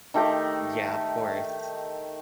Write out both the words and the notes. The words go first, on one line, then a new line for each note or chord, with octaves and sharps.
Yeah. Of course.
D#3 A3 G4 A#5